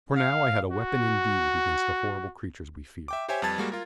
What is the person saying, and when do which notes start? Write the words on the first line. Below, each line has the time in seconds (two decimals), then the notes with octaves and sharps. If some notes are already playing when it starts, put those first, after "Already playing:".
For now I had a weapon indeed against the horrible creatures we feared.
0.16 F5
0.72 F#4
3.08 E5 G5 D6
3.28 G4 C5 C#5 E5 G5 G#5
3.42 F2 G3 B4 A5 G#6 A6
3.58 G3 G#3 A#3 F#4
3.72 F4 A#4